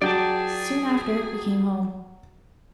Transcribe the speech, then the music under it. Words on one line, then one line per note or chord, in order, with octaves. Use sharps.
Soon after we came home.
F#3 G#4 D5 G5 A5